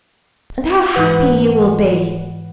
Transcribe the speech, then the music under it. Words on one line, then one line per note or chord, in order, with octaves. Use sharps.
And how happy you will be!
G#2 E3 B4 F#5